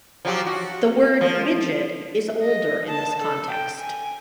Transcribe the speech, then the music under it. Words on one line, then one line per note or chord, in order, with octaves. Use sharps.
The word "widget" is older in this context.
F3 F#3 G4
F#4
F3
D#5
A5
A4
G5
G#5